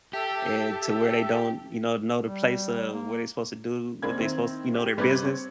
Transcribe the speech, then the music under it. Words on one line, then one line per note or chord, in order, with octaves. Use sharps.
and to where they don't, you know, know the place of where they're supposed to do, what they supposed you know, their business,
G4 A4 E5
G3
A#3
C#2 A#3 C4 D5 B5 G#6
D#3 C4 E4
G4 D6
G1 G3 C4 B4 D6 G#6
C4 C#5